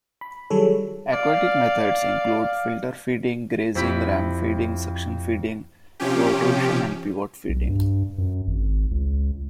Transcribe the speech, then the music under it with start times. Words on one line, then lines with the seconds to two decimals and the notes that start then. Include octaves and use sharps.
Aquatic methods include filterfeeding, grazing, ram feeding, suction feeding, protrusion and pivot feeding.
0.21 B5
0.50 D#3 F#3 G3 G#4 A4 C#5
1.13 D5 F5
3.75 F2 E4 G4 B5
6.00 C3 F3 C#4 G4
7.49 B1
7.69 G2
8.18 F#2
8.47 G#1
8.91 C#2